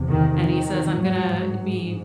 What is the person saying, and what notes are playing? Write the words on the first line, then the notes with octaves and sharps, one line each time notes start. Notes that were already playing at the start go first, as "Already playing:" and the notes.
and he says, "I'm gonna be
Already playing: E2 C3
D#3
D#3
G#2 F#3